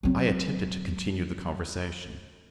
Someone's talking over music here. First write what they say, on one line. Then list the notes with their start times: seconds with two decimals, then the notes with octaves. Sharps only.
I attempted to continue the conversation.
0.03 F#3 C4